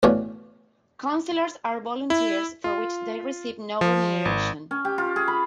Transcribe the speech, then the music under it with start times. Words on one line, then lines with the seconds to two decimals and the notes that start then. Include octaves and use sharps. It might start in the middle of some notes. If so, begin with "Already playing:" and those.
Councillors are volunteers for which they receive no remuneration.
0.03 A1 B2 E3 D4 F4 C#5
2.10 E4
2.64 F4
3.81 F3
4.25 G#1
4.71 C#4
4.85 G4
4.98 F4
5.16 G#4
5.28 B5